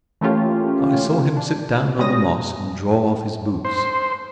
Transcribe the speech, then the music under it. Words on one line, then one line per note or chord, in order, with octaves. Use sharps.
I saw him sit down on the moss and draw off his boots.
E3 A3 A#3 C#4 F4 G4
D4
B2 G3 G#3 C#4 D#6 A#6
C5